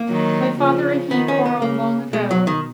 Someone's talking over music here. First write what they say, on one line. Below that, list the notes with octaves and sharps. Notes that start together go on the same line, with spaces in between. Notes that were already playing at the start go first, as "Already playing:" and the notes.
My father and he quarrelled long ago.
Already playing: A#3
D#3 F#3
C#3 F3
D#3 B3
C#4
B3
C#3 A#3
B2 G#3
F#3
D#3